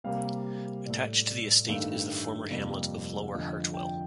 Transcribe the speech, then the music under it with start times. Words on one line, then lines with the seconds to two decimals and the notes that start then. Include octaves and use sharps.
Attached to the estate is the former hamlet of Lower Hartwell.
0.04 C3 G3 A#3 F5
0.86 A2 A3 D5
1.28 D5
1.68 G2 D#3 A3 F5
2.51 F2 C3 G3 A#3
3.27 F5
3.33 F2 D3 F3 A3 D#5
3.74 G5